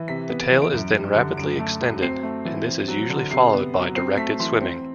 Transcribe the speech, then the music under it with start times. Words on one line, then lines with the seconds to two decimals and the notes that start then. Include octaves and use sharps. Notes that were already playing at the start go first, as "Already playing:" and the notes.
The tail is then rapidly extended, and this is usually followed by directed swimming.
Already playing: E3
0.08 C3 B6
0.29 B3
0.40 D7
0.51 E3
0.62 D7
0.73 F#2
0.94 G3
1.16 D3
1.37 F#2 D7
1.59 A3
1.81 F#3
2.02 C4 C7
2.23 A3
2.45 E3
2.66 C4
2.88 F#3
3.10 D3
3.31 C3 C7
3.54 B3
3.74 F#3
3.96 C4 C7
4.18 A3 B6
4.40 E3 C6
4.61 C4